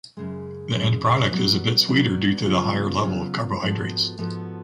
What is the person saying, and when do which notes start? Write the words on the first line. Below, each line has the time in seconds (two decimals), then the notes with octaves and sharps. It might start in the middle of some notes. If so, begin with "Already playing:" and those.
The end product is a bit sweeter due to the higher level of carbohydrates.
0.17 F#2 C#3 G#3
0.74 F#2 C#3 G#3
1.31 F#3 B3 F#4 B4 D5
1.88 F#3 B3 F#4 B4 D5
2.45 C#3 F#3 B3 F4
3.03 C#3 F#3 B3 F4
3.60 G#2 F3 B3 F#4 A4
4.18 G#2 F3 B3 F#4 A4